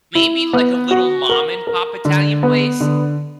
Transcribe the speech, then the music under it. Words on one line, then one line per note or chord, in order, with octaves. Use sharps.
maybe, like, a little mom and pop Italian place
E4
B3
F#4
A#4
A#4
D3
B3
D3